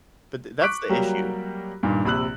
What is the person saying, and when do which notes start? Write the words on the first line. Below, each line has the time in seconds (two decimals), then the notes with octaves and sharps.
But th that's the issue.
0.62 C#6 D6 F#6 B6 D7
0.89 F#3 G3 A#3 F#4 G4
1.83 G2 A#2 D#3
2.05 A#1 C3 B5 E6 F#6 F#7